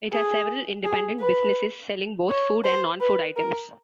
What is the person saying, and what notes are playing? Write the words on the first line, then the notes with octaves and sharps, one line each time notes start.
It has several independent businesses, selling both food and non-food items.
G#4
G#4
B4
C#5
C5
B4
A#4